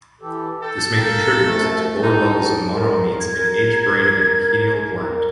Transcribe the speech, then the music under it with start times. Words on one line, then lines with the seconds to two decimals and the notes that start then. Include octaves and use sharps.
This may contribute to lowered levels of monoamines in aged brain and pineal gland.
0.21 E3 G4 A4
0.63 A4 G5
0.96 A#4 F5 G5
1.47 F#2 F3 A3
2.03 A2 D#4 A5
2.76 A#4
3.20 G#6